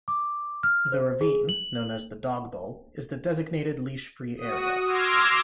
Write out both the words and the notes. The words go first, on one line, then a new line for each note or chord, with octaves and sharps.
The ravine, known as the dog bowl, is the designated leash-free area.
D6
F6
C5
G#4
F#7
F#4 D#6
C6 D6 E6 F6 G#6 A#6